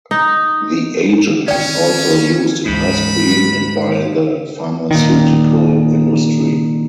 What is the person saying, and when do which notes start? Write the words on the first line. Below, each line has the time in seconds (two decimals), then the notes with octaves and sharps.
The agent is also used in ice cream and by the pharmaceutical industry.
0.11 D#4
1.48 D#3 C4 C#4 D5 G5
2.65 D2 G#2 E3 B5
4.91 A#2 D#3